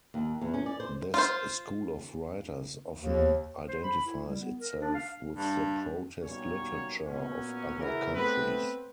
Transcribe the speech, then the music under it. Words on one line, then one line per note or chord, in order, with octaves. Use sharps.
This school of writers often identifies itself with the protest literature of other countries.
D#2
E2
C#4
D5
C5
F4 C5
D#2
C5
B5
E4
G3
B3
A#4
D4
F5
G2
B1 G3 A#3 B3 C#4 C#5
A#2 F#3 A#3 B3 C#4
C#3 E3 F#3 E4 A#4
A3 B3 C4 B4